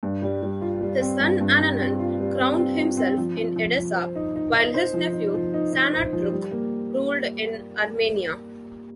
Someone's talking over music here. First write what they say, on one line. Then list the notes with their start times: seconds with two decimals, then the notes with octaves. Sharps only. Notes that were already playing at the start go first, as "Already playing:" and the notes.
His son Ananun crowned himself in Edessa, while his nephew Sanatruk ruled in Armenia.
0.03 G2
0.22 G3
0.42 G3
0.62 F4
0.81 G3
1.01 C4
1.20 G2
1.41 G2
1.61 G3
1.80 C4
1.99 F4
2.20 G3
2.39 C4
2.58 C4
2.77 F4
2.97 C4
3.18 F3
3.37 F3
3.56 F3
3.76 F3
3.95 C5
4.16 D#4
4.36 D#4
4.54 D#4
4.74 C5
4.94 F3
5.13 D#4
5.34 F3
5.54 D#4
5.73 D#4
5.93 C5
6.13 F3
6.32 G3
6.51 A#3